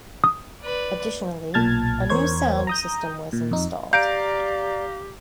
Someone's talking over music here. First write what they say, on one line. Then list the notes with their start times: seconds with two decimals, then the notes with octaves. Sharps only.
Additionally, a new sound system was installed.
0.24 D#6
0.62 B4 D5
1.54 B1 A#2 A5 F6 G#6 A6
2.10 E2 A#4 C5 C#5 G#6
2.67 A#5 D#6 G6
3.33 A#2
3.51 F2 D#4
3.93 G4 D5 F5 A#5 G6 D7